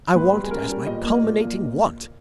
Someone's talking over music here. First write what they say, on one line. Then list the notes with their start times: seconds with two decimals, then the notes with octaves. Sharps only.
I want it as my culminating want.
0.15 G#2 B4
0.33 G3
0.44 G#4
0.51 C#4 A#4
0.69 G3
0.87 A#2 D#5
1.04 A#3
1.22 A#2
1.40 A#3